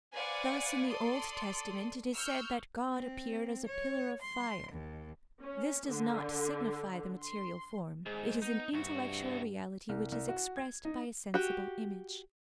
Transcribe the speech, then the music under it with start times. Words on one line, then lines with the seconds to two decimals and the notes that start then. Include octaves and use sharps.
Thus in the Old Testament it is said that God appeared as a pillar of fire: this does not signify the material form; it is an intellectual reality which is expressed by a sensible image.
0.15 B4 C5 D5 F5 F#5 G#5
0.90 A4 D5 C6 D#6
2.13 C#6 E6 F6 G6
2.94 C4
3.66 C#5
4.21 C6
4.72 D#2
5.42 C#4
5.88 D3
7.21 C6
8.06 G#2 G#4
8.42 B3 D#4
8.74 C2 G2 F#4
9.89 C2
10.12 C2
10.29 F#4
10.57 G#6
10.85 D#4
11.34 F#4 G4